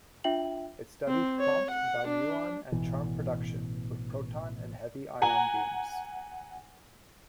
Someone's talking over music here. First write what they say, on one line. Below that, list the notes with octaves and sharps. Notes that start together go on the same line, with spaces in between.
It studied "prompt dimuon and charm production with proton and heavy ion beams".
D4 F4 E5 G5 F#7
C4
C#5
F#5
D4
A1 B2 E3
F#5 G#5 A#5